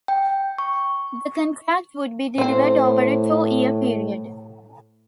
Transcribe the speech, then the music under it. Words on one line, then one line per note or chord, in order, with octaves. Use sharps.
The contract would be delivered over a two-year period.
G5
C#6
A2 C4 C5